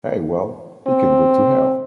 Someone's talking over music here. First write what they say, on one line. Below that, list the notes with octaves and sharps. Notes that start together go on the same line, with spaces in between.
Hey, well! He can go to hell!
C4